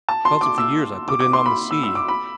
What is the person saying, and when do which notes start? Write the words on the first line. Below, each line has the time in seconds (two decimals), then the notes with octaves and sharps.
Because of the years I put in on the sea.
0.09 A5
0.25 C6
0.41 D6
0.58 E6
1.08 D6
1.20 D6
1.33 C6
1.46 B5
1.71 E6
1.83 E6
1.95 D6
2.08 B5